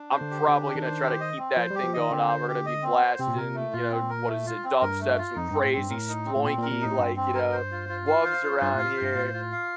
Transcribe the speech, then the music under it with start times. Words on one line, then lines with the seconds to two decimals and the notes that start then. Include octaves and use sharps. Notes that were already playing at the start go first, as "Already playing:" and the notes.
I'm probably gonna try to keep that thing going on, we're gonna be blasting, you know, what is it? Dubstep, some crazy sploinky, like, you know, wubs around here.
Already playing: D4
0.12 C5
0.21 D3
0.31 G4
0.49 D3 D4
0.66 D4
0.75 D#3
0.85 C5
1.02 G4
1.20 D#5
1.38 C4
1.57 F3 C5
1.70 G3 G4
1.84 F3
1.94 D#3 D#5
2.11 D3 C4
2.28 C5
2.48 G4
2.66 D#5
2.83 C4
3.01 C5
3.19 C3 C4
3.27 A#2
3.35 C3 A#4
3.55 A3
3.73 A#2 F4
3.92 C4
4.10 A#4
4.27 A3
4.46 F4
4.64 C4
4.81 G2 A#4
5.00 A3
5.18 F4
5.36 F2 D#4
5.50 G2 C4
5.63 A2
5.73 G2 C4
5.90 A2 A#4
6.09 D#4
6.26 C4
6.36 A2
6.44 A#2 C4
6.58 A#2 A#4
6.72 A#2
6.81 A2 D#4
6.98 G2 C4
7.16 C4
7.34 A#4
7.52 C5
7.71 F4
7.89 F4
8.06 F5
8.25 C5
8.44 F4
8.61 G2 F4
8.75 A2 F5
8.97 G2 C5
9.15 A2 F4
9.33 F4
9.52 F5